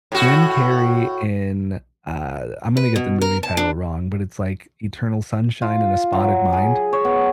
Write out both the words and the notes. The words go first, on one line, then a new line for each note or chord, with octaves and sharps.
Jim Carrey in uh, I'm gonna get the movie title wrong, but it's like Eternal Sunshine in a Spotted Mind.
A2 F#4
B4
B2
A#4
A5
D4
F4
F#3
G#4
C#5
B3